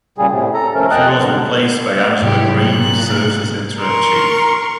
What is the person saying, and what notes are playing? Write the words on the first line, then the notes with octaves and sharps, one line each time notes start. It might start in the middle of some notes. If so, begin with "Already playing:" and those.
She was replaced by Angela Greene who serves as interim chief.
A#2 C#3 G3 G#4
A2 C3
A4 A#5
D#2 F3 A3 C#4 A#4
F2 D#5 G5 A5 D#6 F#6
D3 F#3
G#2 C3 F#3 E4 G4 C#5
A#2 F#6
A#4 C6 C#6